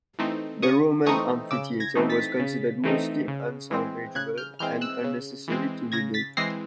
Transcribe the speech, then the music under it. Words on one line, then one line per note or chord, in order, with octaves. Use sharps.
The Roman amphitheatre was considered mostly unsalvageable and unnecessary to rebuilt.
E3 A3 C4 D#4
C#3 C#6 D#6
E3 A3 C4 D#4 C#6 D#6
C#3 D6 E6
G#6 A#6
E3 A3 C4 D#4
A6 B6
C#3
E3 A3 C4 D#4
C#3
E3 G#3 C4
C#3 F#6 G#6
F6 G6
E3 G#3 C4 F6 G6
E6 F#6
C#3
E3 G#3 C4
C#3 G#6 A#6
A6 B6
E3 G#3 C4 A#6 C7